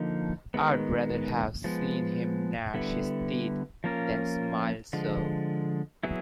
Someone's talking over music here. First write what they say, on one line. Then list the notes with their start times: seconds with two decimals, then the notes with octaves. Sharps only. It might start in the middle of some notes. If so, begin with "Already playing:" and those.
I’d rather have seen him gnash his teeth than smile so.
Already playing: D3 F3 A#3 D#4
0.54 D#3 G#3 B3
1.64 F3 G#3 B3
2.74 D3 G3 B3 E4
3.84 F3 A#3 C#4 F4 A#4
4.93 D3 F3 G#3
6.03 F#3 B3 E4 G#4